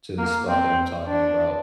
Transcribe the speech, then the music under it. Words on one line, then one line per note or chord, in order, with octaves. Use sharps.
to the spot that I'm talking about.
A#3
C4
D4